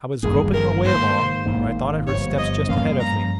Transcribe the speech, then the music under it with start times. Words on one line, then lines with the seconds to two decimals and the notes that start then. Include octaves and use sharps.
I was groping my way along when I thought I heard steps just ahead of me.
0.23 G#1 G2 D#3 A#3 G#4
0.53 A#4
0.84 G#2 D#3 A#3 C5
1.46 G#1 G#2 D#3 A#3
2.07 G1 G2 F3 C#5
2.38 D#5
2.69 G2 F3 A#3 C#4 F5
3.00 A#5